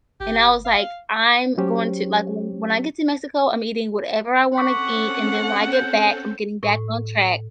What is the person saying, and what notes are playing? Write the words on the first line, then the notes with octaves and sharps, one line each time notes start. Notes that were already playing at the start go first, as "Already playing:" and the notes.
and I was like, "I'm going to, like, when I get to Mexico, I'm eating whatever I wanna eat, and then when I get back, I'm getting back on track."
G1 G4
F5
F#3 C#4 G4 C5 C#5
C4 C#4 A4 F#5 C#6 D6 B6
G6
A2